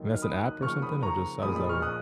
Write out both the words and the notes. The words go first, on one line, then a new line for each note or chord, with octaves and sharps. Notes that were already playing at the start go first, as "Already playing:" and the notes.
And that's an app or something, or just how does that work?
Already playing: D#2 D#3 F#3
F6
B5 D#6
D#6 F#6
D#2 C#3 F3 C#6 F6
B5 D#6
A#5 C#6
A#2 F3 G#3 B5 D#6
B5 D#6
C#6 F6
D#6 F#6